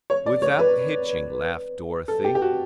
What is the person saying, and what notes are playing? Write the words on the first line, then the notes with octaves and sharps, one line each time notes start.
"Without hitching," laughed Dorothy.
C#5
D5
C#5
B4
A4
G4
G4
F#4